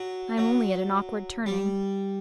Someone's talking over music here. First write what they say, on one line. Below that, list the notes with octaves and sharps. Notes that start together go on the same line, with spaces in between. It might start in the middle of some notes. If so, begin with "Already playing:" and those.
I am only at an awkward turning.
Already playing: F#3
F#3
G3